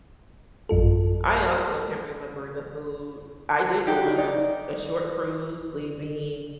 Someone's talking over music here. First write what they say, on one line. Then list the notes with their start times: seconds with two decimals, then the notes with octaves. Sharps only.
I also can remember the food I did go on a a short cruise leaving
0.69 A1 F#2 F4 A4
3.86 D4 D#4 F#4 G4
4.16 D#4 D5